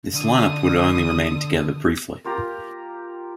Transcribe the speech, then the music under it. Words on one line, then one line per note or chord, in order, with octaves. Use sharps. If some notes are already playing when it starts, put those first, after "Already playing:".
This line-up would only remain together briefly.
D3 D#6
A#3 F4 G4 A#5